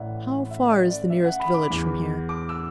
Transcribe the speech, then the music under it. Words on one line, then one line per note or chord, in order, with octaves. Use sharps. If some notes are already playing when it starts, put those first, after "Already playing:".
"How far is the nearest village from here?"
Already playing: A1 A2 E3 D5 E5 F#5
E5
D5
D5
E5
F#5
B5
D6
E2 E3
D6
E6